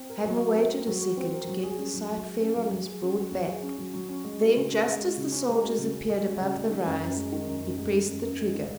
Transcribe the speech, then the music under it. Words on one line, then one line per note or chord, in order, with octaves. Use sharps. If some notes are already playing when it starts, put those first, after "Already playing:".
Hadden waited a second to get the sight fair on his broad back, then just as the soldiers appeared above the rise he pressed the trigger.
Already playing: C4
A#4
F#3
F#4
C4
A#4
F#3
F#4
C4
A#4
F#3
G#4
C#4
F#3
F#3
G#4
C#4
F#3
F#3
G#4
C#4
F#3
F#3
G#4
C#4
F#3
F#3
C#4
G#3
F#4
C#3
C#4
G#3
F#4
C#3
C#4
G#3
F#4
C#3
C#4
G#3
F#4
C#3
G#3
D#3
F#2
F#2
G#3
D#3
F#2
F#2
G#3
D#3
F#2
F#2
G#3
D#3